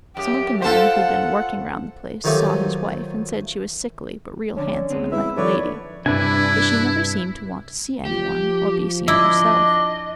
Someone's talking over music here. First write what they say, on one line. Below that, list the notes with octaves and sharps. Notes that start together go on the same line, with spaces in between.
Some of the men who'd been working round the place saw his wife and said she was sickly but real handsome and like a lady, but she never seemed to want to see anyone or be seen herself.
F#2 G4
F4 A4 C5 F#5
D#3 F3 F#3 A3 D#4 G4
F2 D3 C#4 D4
G#3 B3 C4
E3 E4 E5
F2 D3 D#3 F3 B4 C#5 D5
G2 C3 D4 E4 B4 G#5
F3 G4
D4 E4 D#5